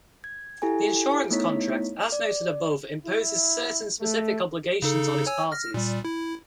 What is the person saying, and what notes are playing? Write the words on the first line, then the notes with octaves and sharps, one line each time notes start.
The insurance contract, as noted above, imposes certain specific obligations on its parties.
G#6
E4 G4 A4 G#5
A3 B3 D#4 E4 C#5 B6
D5
E4
A3
C#3 D#4 A4
C#5 G#5 E6
F6 A#6
A#2 G3
E4